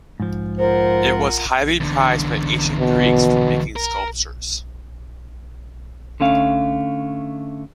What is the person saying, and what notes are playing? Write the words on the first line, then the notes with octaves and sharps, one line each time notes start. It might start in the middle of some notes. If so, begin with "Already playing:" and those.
It was highly prized by ancient Greeks for making sculptures.
G#2 F3
F4 A#4 C5 F#5
E2 D3
B2
A#4
D3 A3 C#4 F5